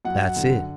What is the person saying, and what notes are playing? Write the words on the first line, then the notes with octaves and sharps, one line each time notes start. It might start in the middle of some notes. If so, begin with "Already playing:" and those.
Dat's it.
F#2 F#5
D3